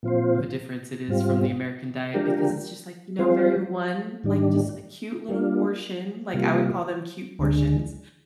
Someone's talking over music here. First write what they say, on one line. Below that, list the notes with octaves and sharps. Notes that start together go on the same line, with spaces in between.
of a difference it is from the American diet, because it's just, like, you know, very one like, just a cute little portion, like, I would call them cute portions,
A#2 F3 C4 F4 C5
G#2 G3 C4 F4
F3 G#3 D4 G4 A#4
F3 G#3 C4 F4 C5
G#2 D#3 G3 D4
G3 A#3 D4 F4
C3 G3 A#3 F4
D2 D3 G#3